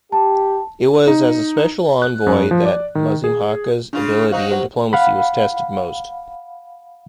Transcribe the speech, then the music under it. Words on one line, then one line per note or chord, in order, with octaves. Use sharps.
It was as a Special Envoy that Mazimhaka's ability in diplomacy was tested most.
G4 A5
D#4
F#6
F#2
F3
D5
D#3
G#4
C#3 D4 F4
F#3 D#4 F#4 C5 F5
G4 C5 F#5
F5 F#5 B5